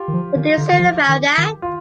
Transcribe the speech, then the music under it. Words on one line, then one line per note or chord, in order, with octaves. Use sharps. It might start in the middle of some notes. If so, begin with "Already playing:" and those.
What do you say about that?
Already playing: F4 G4
D#3
F3
D#3
D3
D#3
F3
D#3
D#3
F4